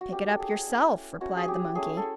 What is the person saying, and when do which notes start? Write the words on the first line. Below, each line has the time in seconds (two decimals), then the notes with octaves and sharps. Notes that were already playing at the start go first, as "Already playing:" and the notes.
"Pick it up yourself," replied the monkey.
0.01 F#4
0.12 A3 C#4 E4 G4
0.28 A4
0.40 G#4
0.67 A3 C#4 E4
1.21 A3 C#4 E4 F#4
1.37 G#4
1.48 G4
1.75 A3 C#4 E4 G#4
1.97 A4